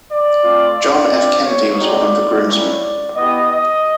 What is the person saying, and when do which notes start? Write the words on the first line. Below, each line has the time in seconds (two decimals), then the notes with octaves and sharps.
John F. Kennedy was one of the groomsmen.
0.09 D5
0.44 A3 C4 F4
0.77 D5
1.11 C4 F4
1.45 C#5
1.79 G#3 C4 D#4 F#4 D5
2.47 G3 A#3 C#4 E4 D5
3.16 B3 E4 G4 D#5
3.50 D#5